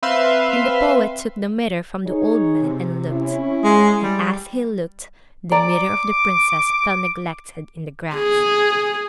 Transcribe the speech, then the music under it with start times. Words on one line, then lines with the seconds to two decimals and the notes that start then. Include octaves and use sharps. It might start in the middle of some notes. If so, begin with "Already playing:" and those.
And the poet took the mirror from the old man and looked; and, as he looked, the mirror of the princess fell neglected in the grass....
0.02 C4 B4 E5 F5 C6
2.06 D#4 G#4 C#5
2.63 C3
3.09 C#4 E4
3.64 G#3
4.03 G3
5.52 D5 A#5 D6
8.15 G#4